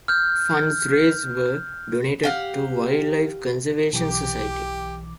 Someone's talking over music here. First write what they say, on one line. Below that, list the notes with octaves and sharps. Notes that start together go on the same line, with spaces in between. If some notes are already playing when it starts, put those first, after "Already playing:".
Funds raised were donated to Wildlife Conservation Society.
F6 G6
G4 F5 F#5
B1 E3 G4 D6